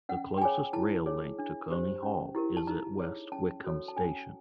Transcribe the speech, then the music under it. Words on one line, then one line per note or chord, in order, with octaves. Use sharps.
The closest rail link to Coney Hall is at West Wickham station.
C#4 F#5
G5
F4 G#4 C#5 G#5
E4 A5
G#4 C#5
D4
G4 C5
C#4
E4 G4 A#4
A5
D#4 A#5
G#4 C#5
C#4 A5
F#4 A4 C#5
A5
C#4 G#5